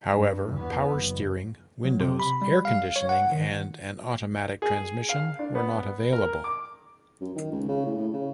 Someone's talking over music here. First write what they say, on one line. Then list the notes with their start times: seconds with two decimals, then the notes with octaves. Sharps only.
However, power steering, windows, air conditioning, and an automatic transmission were not available.
0.13 G2
0.52 E2 B3
0.92 F#1
1.84 F#3
2.00 C3
2.20 B5
2.42 G3
2.65 F5
2.96 C#5
3.09 F#5
3.32 D#3
4.62 G#4
5.09 F5
5.39 D4
5.55 B3
6.13 A#4
6.44 D6
7.21 F#2
7.36 D#3
7.52 C#2
7.68 C#3
7.86 A2
7.98 A2
8.13 C#3